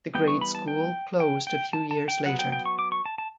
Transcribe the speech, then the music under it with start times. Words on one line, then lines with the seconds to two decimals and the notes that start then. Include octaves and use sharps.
The grade school closed a few years later.
0.15 E3 G3 B3 G5
0.28 C#6
0.41 B5
0.55 A5
0.68 G5
1.20 G5
1.47 G5
1.73 A5
1.91 A5
2.08 G5
2.26 F#3 B3 F#5
2.39 G5
2.52 G5
2.66 C#6
2.79 D6
2.92 C#6
3.06 A5
3.18 A5